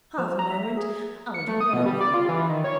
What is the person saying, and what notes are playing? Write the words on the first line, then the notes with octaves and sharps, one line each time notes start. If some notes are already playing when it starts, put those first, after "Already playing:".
Half a moment: I want a word with you.
F3
A#5
E5
G#4
C#7
A3
D#6
B2
G3
D5
F4
E3
D#3
C#5